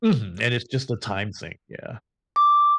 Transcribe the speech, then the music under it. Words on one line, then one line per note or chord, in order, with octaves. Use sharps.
Mhm, and it's just a time thing. Yeah.
D6